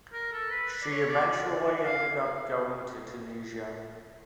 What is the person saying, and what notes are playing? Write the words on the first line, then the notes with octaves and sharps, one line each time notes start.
She eventually ended up going to Tunisia.
A#4
A4
B4
D5
C#5
D5
F5